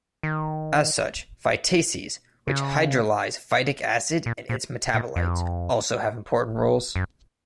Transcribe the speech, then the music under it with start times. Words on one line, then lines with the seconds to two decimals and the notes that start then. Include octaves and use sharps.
As such, phytases, which hydrolyze phytic acid and its metabolites, also have important roles.
0.23 D#3
2.47 C#3
4.26 A#2
4.49 A#2
4.94 A#2
5.16 F2
6.96 F#2